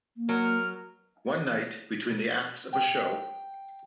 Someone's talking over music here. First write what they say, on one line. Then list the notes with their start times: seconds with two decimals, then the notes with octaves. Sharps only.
One night between the acts of a show.
0.16 A#3
0.29 F#3 A#4
0.43 F6
2.73 G5